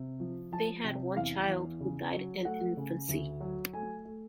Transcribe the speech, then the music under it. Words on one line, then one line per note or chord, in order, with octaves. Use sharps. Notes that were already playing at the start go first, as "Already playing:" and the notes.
They had one child who died in infancy.
Already playing: C3
F3
F3 A5
C3 G5
E2 F5
E2
C#3
F#3
A3 F#5
C#3
D2
F#3
A3 G#5
A3